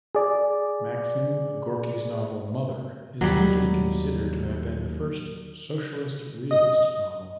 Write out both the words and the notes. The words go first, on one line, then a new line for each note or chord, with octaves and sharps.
Maxim Gorky's novel "Mother" is usually considered to have been the first socialist-realist novel.
G#4 D5
D#2 F#3 G3
D#5